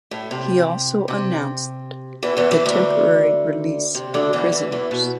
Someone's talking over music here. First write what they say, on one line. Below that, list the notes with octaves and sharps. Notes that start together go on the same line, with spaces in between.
He also announced the temporary release of prisoners.
A2
C3
C3
E2 E3
E2 E3
E2 E3
D2 D3
C3
D2 D3
E2 E3
E2 E3
E2 E3
B2